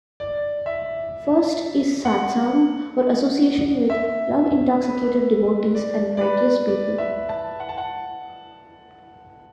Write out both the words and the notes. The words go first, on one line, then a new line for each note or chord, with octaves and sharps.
First is "satsang" or association with love-intoxicated devotees and righteous people.
D5
E5
F#5
E5
B4
D5
D5
B4
D5
E5
A5
F#5
A5
F#5